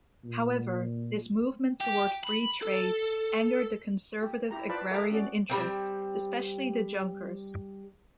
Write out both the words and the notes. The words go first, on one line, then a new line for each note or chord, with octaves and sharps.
However, this movement toward free trade angered the conservative agrarian interests, especially the Junkers.
A#2
G4
B5
A4
G4
E4 G4 A#5
F4 B4 C5 D5 A5 B5
G#4 A4 E5 F#5 A#5 D6
C#4 F#4 D5
G3 A#3 C4